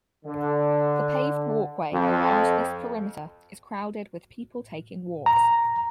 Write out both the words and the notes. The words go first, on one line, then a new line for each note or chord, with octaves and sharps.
The paved walkway around this perimeter is crowded with people taking walks.
D3
F2
A#5